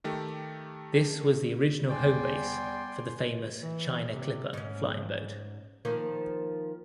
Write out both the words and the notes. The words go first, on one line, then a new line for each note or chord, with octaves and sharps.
This was the original home base for the famous China Clipper flying boat.
D#3 A3 G4
E2 G3 D5 G5 G#5 C6
E3
C3
G#2 C#4
D#3 F3 A#3